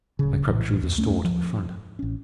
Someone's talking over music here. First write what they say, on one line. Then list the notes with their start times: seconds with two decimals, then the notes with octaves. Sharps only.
I crept through the store to the front.
0.19 D1 C#3
0.46 A#1 A2 E3
0.83 E2
0.97 D#2 A3 C4 C#4
1.25 F3
1.99 A1 C#4